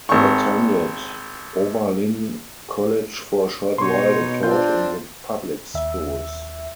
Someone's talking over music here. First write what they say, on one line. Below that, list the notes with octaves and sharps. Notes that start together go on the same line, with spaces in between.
He attended Oberlin College for a short while and taught in the public schools.
G#1 C#6
B2 D#4 C#5 C6 C#6
C4 D4 F4 G6
D#2 E5